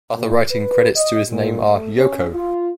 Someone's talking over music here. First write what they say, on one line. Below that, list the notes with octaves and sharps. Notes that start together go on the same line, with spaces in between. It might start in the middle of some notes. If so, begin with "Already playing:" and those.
Other writing credits to his name are: Yoko!
A#2
B4
D#5
A#2
A3
C#4
F4